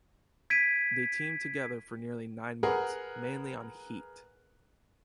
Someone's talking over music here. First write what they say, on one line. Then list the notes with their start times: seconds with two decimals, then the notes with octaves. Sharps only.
They teamed together for nearly nine months, mainly on "Heat".
0.50 G#6 B6 D7 D#7
2.63 G#4 A#4 B4 F#5